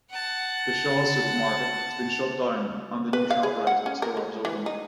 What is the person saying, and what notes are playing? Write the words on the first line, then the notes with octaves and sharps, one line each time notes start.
The Shaw's supermarket has been shut down and the new ShopRite store has opened.
F#5 A5
B4
F5
G#4
F#5
C#4
A#4
G#3
E3
D#4